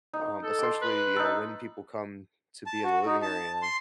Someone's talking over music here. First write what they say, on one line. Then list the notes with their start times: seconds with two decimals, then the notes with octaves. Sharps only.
um, essentially, you know, when people come to be in the living area,
0.13 D#4
0.44 A4
0.59 C6 D6
0.82 B4
1.16 D#4 A4
2.66 A5
2.84 F#4
3.06 D#4
3.22 A5
3.62 C6